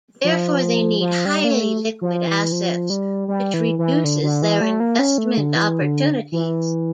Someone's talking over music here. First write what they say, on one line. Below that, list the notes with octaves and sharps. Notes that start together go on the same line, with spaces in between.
Therefore they need highly liquid assets which reduces their investment opportunities.
F3
F3
G3
A#3
A3
F3
E3
F3
G3
G3
E3
E3
D3
D3
E3
A3
A#3
C#4
A3
D3
E3
D3
E3